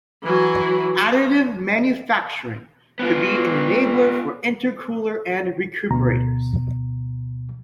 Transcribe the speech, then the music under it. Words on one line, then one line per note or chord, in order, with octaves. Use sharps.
Additive manufacturing could be an enabler for intercooler and recuperators.
E3 F#3
B3 F4
D2 B2 A#5